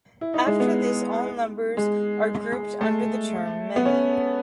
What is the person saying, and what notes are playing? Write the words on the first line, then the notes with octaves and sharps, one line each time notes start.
After this all numbers are grouped under the term 'many.
E4
D#4
G#3
B3
G#3
A3
B3
C#4